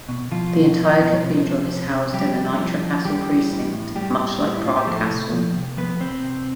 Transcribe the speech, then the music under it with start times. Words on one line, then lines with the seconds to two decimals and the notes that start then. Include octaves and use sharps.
The entire cathedral is housed in the Nitra Castle precinct, much like Prague Castle.
0.09 B2
0.31 B2 F3 F4
0.53 B2
0.76 B2
0.99 B2
1.23 C3
1.45 F3
1.68 C3
1.91 C3
2.13 F3 G3 G4
2.36 C3
2.59 F3
2.81 F3
3.05 E3 G3 G4
3.28 E3
3.51 A2
3.73 A2
3.95 A2 G3 G4
4.19 A2
4.41 A2
4.54 E4
4.64 A2 F4
4.76 G4
4.87 F3 A3 A4
5.09 C3
5.32 F3
5.55 C3
5.77 F3 B3 B4
6.00 C3 C4 C5
6.23 C3